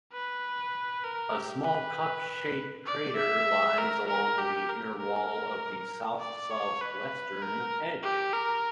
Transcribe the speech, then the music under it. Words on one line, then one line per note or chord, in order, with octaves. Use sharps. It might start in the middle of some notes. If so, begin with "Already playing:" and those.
A small, cup-shaped crater lies along the inner wall of the south-southwestern edge.
B4
A#4
G4
B4
D5
E5
A#4
A#4
G4
A#4
A#4
D5
C#5
B4
A#4
G4
A#4